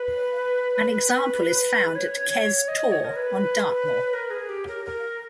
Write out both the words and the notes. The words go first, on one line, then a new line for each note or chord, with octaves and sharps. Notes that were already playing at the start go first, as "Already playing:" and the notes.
An example is found at Kes Tor on Dartmoor.
Already playing: B4
C#5
D#5
C#5
A#4
B4
A#4
G#4
G4
A#4
A#4